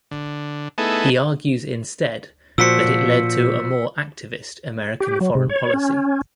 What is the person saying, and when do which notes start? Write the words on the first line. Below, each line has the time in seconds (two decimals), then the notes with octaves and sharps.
He argues instead that it led to a more activist American foreign policy.
0.11 D3
0.78 A3 B3 D#4 E4 G#4 A4
2.58 A#2 F3 F#4 C5 E6 B6 C#7
5.00 G4
5.20 F#3
5.35 C3
5.49 C#5
5.74 C#4